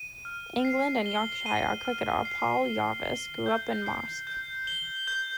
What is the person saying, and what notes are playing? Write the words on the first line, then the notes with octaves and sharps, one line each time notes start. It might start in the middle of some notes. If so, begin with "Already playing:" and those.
England and Yorkshire cricketer Paul Jarvis grew up in Marske.
Already playing: D#7
F6
C7
G7
D#7
F6
C7
G7
G7
G6
C7
G6
G7
G6